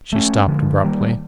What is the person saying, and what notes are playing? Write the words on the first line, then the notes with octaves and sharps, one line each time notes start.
She stopped abruptly.
F3 A3 C#4
D3 F3 G#3
D#3 G3 A#3